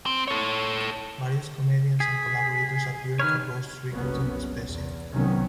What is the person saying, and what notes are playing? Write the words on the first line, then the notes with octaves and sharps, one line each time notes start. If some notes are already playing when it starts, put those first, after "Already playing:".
Various comedians and collaborators appeared to roast Rickles in the special.
C4
A4 C#5
G#4 B6
D#3 B4 C#5 F6
F#1 C2 F#3 B3 C#4
E2
C2 C3 D#3 F#3 B3 C#4